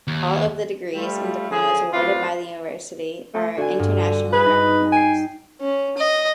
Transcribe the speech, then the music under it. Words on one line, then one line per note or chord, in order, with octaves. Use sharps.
All of the degrees and diplomas awarded by the university are internationally recognised.
D#2
G3 A3 F4
D3 F3 C#4 G#4
F#2 A2 C4 F4 B4 D5
A3
D3 F#4 G#5
G2
G#4 B4
D#4
G5 G#5 C7
C#4
D#5